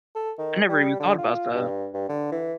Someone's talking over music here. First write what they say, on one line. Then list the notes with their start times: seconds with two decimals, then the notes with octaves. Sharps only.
I never even thought about that.
0.16 A4
0.38 D#3
0.68 G3
1.00 D3
1.18 F4
1.54 G2
1.94 G2
2.09 D3
2.32 E3